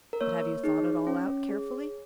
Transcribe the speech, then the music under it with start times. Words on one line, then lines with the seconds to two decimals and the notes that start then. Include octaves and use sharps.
But have you thought it all out carefully?
0.13 A#4
0.21 A#3 C#5
0.64 D#4 G#4
1.07 C#4
1.49 G#4